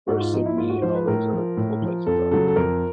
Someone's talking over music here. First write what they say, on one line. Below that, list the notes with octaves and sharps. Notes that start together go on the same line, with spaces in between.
where Sydney and all those other cool places are.
G#2 F#4
F4
F3 D#4
E4
G#2 F4
F#4
F3 C5
B4
A2 A#4
F3
A2
F3
F2 A4
C#3 F#3 A4
A4
F2 A#4